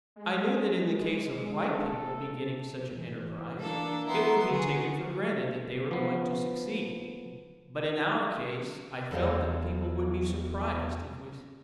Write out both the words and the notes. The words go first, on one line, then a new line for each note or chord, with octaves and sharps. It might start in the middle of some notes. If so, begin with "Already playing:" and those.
I knew that in the case of white people beginning such an enterprise it would be taken for granted that they were going to succeed, but in our case I felt that people would be surprised if we succeeded.
G#3
A4
E3
A#3 D4 A4
B3 E4 A#5 C6
D3 F#4 G#4
F3 B3
E2 A4 C5 D#5 F5